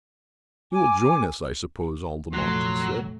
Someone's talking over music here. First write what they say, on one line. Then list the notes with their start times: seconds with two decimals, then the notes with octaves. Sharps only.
"You will join us, I suppose, Altamont," he said.
0.72 G#5 D6
2.33 F1 A#2 F3 F#3 A3 C6